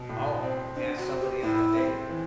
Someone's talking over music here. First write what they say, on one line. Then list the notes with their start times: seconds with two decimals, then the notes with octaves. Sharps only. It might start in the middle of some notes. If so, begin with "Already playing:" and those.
Oh, ask somebody on a date?
Already playing: B2
0.09 A2
0.42 C4
0.76 C4 D4
0.98 F#4
1.09 C4
1.20 G4
1.42 A2 E4
1.76 C4
2.09 E3